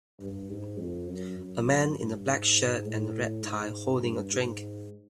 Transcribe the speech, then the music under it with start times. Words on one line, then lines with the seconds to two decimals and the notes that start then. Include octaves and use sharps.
A man in a black shirt and red tie holding a drink.
0.20 G2
0.50 G#2
0.78 F2
1.08 F#2
1.38 F#2
1.97 G2
2.26 G#2
2.85 A2
3.43 G#2
4.03 G2
4.32 G#2